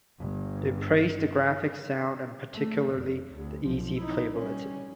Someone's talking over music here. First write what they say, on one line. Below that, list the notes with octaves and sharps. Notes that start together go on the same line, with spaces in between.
They praised the graphics, sound, and particularly the easy playability.
G1 G2
A3
F1
D2
B1 F3
D#4 E4
G3 C#4